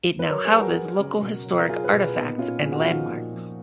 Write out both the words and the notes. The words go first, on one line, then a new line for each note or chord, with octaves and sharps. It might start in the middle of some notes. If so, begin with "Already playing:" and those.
It now houses local historic artifacts and landmarks.
B4
F#3 A#4 C#5
G#4 B4
F#3
F#4 A#4
F#3
C#3
B2
F#3
A#4
F#3 F4 G#4
G#4 B4
B2
G#4 B4
A#2 B3 D#4
A#2 C#4 F4
A#2 G#4
F#4
F3 F4
D#4 F#4
A#2
F3